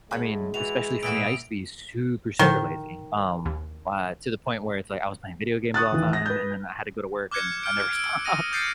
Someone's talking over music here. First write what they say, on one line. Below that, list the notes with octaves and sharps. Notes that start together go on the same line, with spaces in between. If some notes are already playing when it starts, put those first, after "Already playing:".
I mean, especially for me, I used to be super, super lazy, um, uh, to the point where it's like I was playing video games all the time, and then I had to go to work, and I never stopped.
A2 G#3 F#4 C#5
E3 F#4 F7
A#2 E3 F#4 D#6 E6 D7
A2 D3 D#3 F3
D#2
C#6 D#6 F#6 A6
D#2 E3
A#6
B4 G6
D6 F6 F#6 G#6 C#7
F6 D7
E6 D7
D#6 A#6 D#7
D#6 G6 A6 C7 C#7